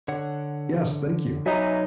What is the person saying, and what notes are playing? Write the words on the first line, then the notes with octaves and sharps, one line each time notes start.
Yes, thank you.
D3 C#5 F#5
F#3 D#4 E5 G#5